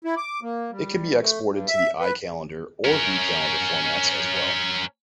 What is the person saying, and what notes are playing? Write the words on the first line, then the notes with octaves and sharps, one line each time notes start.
It can be exported to the iCalendar or vCalendar formats as well.
E4
D6
A#3
G3
A3
G2
E5
B4
C#4 A#4